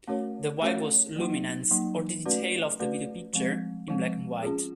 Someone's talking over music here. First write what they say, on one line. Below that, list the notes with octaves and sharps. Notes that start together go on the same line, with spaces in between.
The "Y" was luminance, or the detail of the video picture, in black-and-white.
A3 C#4 F#4 A#4 C#5
A3 C#4 F#4 A#4 C#5
F#3 A#3 D#4
F#3 A#3 D#4
A3 C#4 F#4 B4 D5
A3 C#4 F#4 B4 D5
F3 G#3 C4
F3 G#3 C4
C#4 F4 G#4